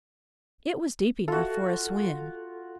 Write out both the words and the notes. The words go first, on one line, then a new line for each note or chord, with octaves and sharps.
It was deep enough for a swim.
F4 F#4 A4